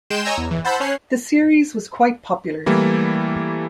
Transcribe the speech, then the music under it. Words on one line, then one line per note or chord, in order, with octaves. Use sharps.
The series was quite popular.
G#3 G5 C6 G6 E7
C#5 D#5 G#5 A#5 E6
E2
E3
C5 F#5 A5 B5 E6 G6
C#4 C#5 F#6 C7
E3 G3 A3 A#3 E4